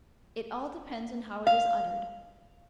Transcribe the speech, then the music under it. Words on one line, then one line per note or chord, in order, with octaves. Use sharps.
It all depends on how it is uttered.
F5